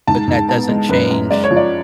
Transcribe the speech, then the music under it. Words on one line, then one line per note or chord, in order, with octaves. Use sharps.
but that doesn't change,
G#2 A5
G#2
B3 A5
G#3
F#2 B4
F#2
G#3 D5
C#5
F3
D5